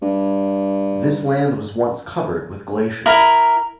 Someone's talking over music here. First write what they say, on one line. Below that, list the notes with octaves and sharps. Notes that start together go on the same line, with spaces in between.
This land was once covered with glaciers.
G2
E4 A#4